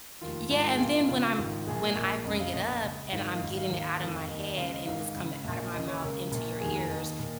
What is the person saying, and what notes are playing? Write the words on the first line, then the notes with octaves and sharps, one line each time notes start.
yeah, and then when I'm when I bring it up and I'm getting it out of my head, and it's coming out of my mouth into your ears,
F1 D#2 D#3 F4
G#1 G#2 D#3 F4
G#4
A#1 A#2 F4
D#4
C#2 C#3 F4
G#1 G#2 D#3
A#1 A#2 G#4
A#1 A#2
F1 F2 C#3 D#5
F5
A#1 A#2 D#5
C#2 C#3
G#1 G#2 D#3 F5
F5
G#1 G#2 D#3
F5
D#2 D#3
F5
F1 F2 D#3
D#2 D#3 D#5
D#5
C#2 C#3 F5
D#5
G#1 G#2 D#3 F5
C#2 C#3
A#1 A#2
D#2 C#3 D#5
C#5
C#2 C#3 A#4
A#1 A#2
F1 D#2 D#3 G#4
A#4
D#2 D#3 D#5
A#2